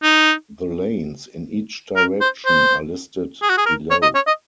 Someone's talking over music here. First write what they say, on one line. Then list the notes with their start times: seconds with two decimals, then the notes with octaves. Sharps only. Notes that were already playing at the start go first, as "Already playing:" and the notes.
The lanes in each direction are listed below.
0.03 D#4
1.96 A#4
2.21 C5
2.45 C5
3.42 G#4
3.49 F#4
3.57 G#4
3.66 A#4
3.90 C#5
4.02 D#5
4.15 C#5
4.27 D#5